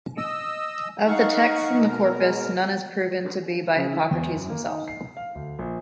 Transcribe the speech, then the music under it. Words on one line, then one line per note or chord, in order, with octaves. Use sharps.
Of the texts in the corpus, none is proven to be by Hippocrates himself.
D#5 E6
D#4 F5 F#5 C#6
B2 A#4
G#3
C#3
E4
E2
F#2
A#3
D#4
C7
F5
D2
A#1